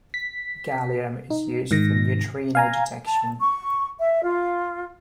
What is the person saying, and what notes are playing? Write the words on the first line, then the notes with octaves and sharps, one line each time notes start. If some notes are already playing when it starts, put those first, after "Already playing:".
Gallium is used for neutrino detection.
B6
D#4
G#2 D#3 A#6
F5 G#5 A#5
A5
C#6
E5
F4